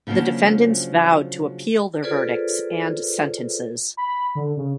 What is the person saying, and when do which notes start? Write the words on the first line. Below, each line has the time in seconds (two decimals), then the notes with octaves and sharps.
The defendants vowed to appeal their verdicts and sentences.
0.07 C#3 F3 F#3 A#3 D4
2.03 F4 G#4 A4 B4 C5 D5
3.97 B5
4.35 D3
4.57 C#3